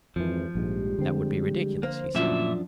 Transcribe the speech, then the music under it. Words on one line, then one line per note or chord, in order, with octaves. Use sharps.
That would be ridiculous, he said.
G#1 F2 E3 F3
A#1 G#2 G3 G#3 G4
D3 C4
A#3 C5
F#2 A#2 F3 A3 C#4 D4 F#4 E5